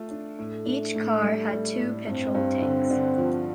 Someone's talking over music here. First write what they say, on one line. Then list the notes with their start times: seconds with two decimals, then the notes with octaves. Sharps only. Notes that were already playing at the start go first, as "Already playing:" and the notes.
Each car had two petrol tanks.
Already playing: A3 F4
0.11 D4
0.38 A2 A3
0.66 D4
0.95 A2
1.22 G3
1.51 G3
1.79 A2
2.06 G2 C4
2.35 G2
2.62 D3
2.90 D3
3.18 F3